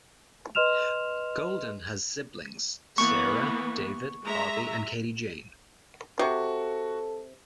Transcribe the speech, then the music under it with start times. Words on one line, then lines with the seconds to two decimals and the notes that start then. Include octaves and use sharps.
Goldin has siblings: Sarah, David, Bobby and Katie-Jane.
0.55 B4 D#5 C6 F6 E7 F7
2.98 E3 A#3 B3 C#6
4.25 G#3 E5 A#5
6.19 C3 F#4 A4 C#6